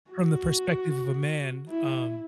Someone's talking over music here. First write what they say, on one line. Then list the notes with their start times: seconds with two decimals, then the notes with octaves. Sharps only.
from the perspective of a man, um
0.11 F#4
1.69 E4